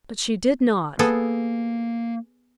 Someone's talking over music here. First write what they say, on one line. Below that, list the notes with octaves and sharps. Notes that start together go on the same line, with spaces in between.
But she did not.
A#3 B3 G#4 A4